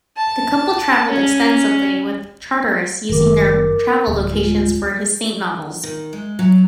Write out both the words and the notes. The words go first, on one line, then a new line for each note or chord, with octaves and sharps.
The couple traveled extensively, with Charteris using their travel locations for his "Saint" novels.
A5
C#4
F#1 D#3 A#4 D6
D1
G#3 F4
D#3
G#3
F#3